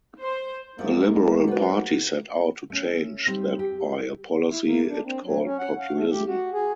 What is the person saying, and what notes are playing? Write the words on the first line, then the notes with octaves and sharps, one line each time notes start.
The Liberal Party set out to change that by a policy it called populism.
C5
F#2 F3 G#3 A#3
F3 F#4 B4
A3 C#4
G3 C4 D#4
G4
E4
A#3
D4
C4
F#3
C#4
F#5
F5
A3
G4
F#4
G#4